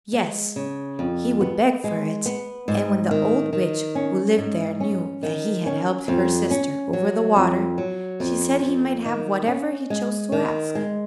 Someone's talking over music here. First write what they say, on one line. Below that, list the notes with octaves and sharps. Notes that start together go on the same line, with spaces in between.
Yes! he would beg for it; and when the old witch who lived there knew that he had helped her sister over the water, she said he might have whatever he chose to ask.
G#3
C#3
F2
B3
G#3
B3
G#2
D#3
D#3
C#4
G#2
C#4
D#3
C#4
F2
C#4
F#3
F2
F#3
F2
F2
D#3
C#4
G#3
D#3
G#3